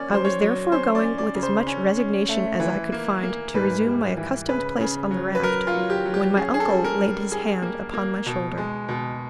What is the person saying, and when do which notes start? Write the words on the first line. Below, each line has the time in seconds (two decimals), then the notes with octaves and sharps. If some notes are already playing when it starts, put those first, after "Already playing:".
I was therefore going with as much resignation as I could find to resume my accustomed place on the raft, when my uncle laid his hand upon my shoulder.
Already playing: A#3 C#4 D5
0.09 F#3
0.14 C5
0.25 C#5
0.41 F#3
0.72 C#4 C5
0.95 D5
1.04 C#4
1.18 D5
1.35 C#3
1.43 C5
1.67 C#4
1.97 C#4
2.29 A3
2.60 E3
2.92 A#3
3.23 A#3
3.54 G#2 B4
3.86 G3
4.17 E3
4.49 C#3 B4
4.81 C#3
5.11 F#3
5.35 B4
5.43 F#3 A#4
5.67 F4
5.74 F#3
5.90 G4
6.05 F#3
6.14 G4
6.37 C#4 G#4
6.54 G#4
6.60 A4
6.69 G3
6.84 A#4
7.00 G3
7.32 G3 G#4
7.62 A#3
7.94 A#3
8.26 B2
8.58 G#3
8.88 B2